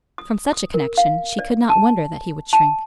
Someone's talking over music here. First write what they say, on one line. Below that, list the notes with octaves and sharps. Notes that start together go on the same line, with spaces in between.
From such a connection she could not wonder that he would shrink.
D#6
D#6
A#4
F5
D5
A5
A5